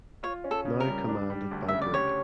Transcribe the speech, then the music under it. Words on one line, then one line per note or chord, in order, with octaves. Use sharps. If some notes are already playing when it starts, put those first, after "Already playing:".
Now commanded by Brig.
F4 C#5
C#4
A4
C#3
A#4
G3
D4
G3
D2
C#3 E5
D5
G4 C#5